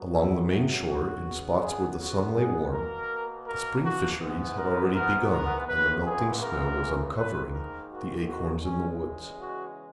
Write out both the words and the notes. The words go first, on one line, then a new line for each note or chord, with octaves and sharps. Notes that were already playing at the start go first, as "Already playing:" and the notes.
Along the main shore, in spots where the sun lay warm, the spring fisheries had already begun, and the melting snow was uncovering the acorns in the woods.
Already playing: F#2 C#3 F#3 B3
E4
E4
F#4
C#2 C#3 G#3 B3
G#4
F#4
G#4
B2 A#3 A#4
A#4
F#4
G#2 E3 B3
A#4
A#4
A#4
C#2 C#3 E3 B3 B4
G#4
A#4
G#2 D#3 A#3 B4
A#4
F#4
F#4
E2 C#3 E3 G#3 C#4
F#4